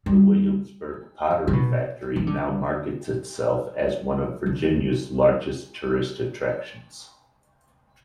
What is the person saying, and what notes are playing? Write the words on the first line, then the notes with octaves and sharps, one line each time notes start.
The Williamsburg Pottery Factory now markets itself as one of Virginia's largest tourist attractions.
G3
D3
B2
E3
D3
D3